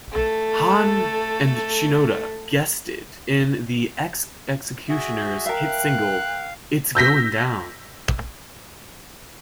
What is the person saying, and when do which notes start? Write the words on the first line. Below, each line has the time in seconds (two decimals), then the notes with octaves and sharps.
Hahn and Shinoda guested in The X-Ecutioners' hit single "It's Goin' Down".
0.12 A3 A4
4.89 F#4 G#4 E5
5.46 A#4 E5 F5 G5 F#6
6.95 E6 G6 A#6 B6